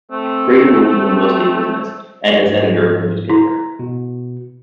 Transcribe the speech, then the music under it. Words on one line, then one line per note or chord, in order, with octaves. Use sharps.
Brady worked in the real estate business, and as editor of a newspaper.
A3 C4
C#5 D5
G#2
E4 A#5
B2